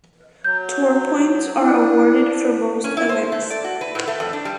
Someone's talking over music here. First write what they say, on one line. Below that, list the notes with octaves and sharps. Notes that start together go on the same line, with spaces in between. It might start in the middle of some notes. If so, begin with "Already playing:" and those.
Tour points are awarded for most events.
F#3 G6
D4 E4
C#4
E4
C5
A3
D5
F#4
B4
A2
A3
F2
D4
G3